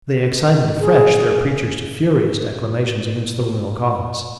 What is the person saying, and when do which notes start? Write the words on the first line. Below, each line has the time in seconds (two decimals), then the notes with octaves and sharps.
They excited afresh their preachers to furious declamations against the royal cause.
0.81 G#4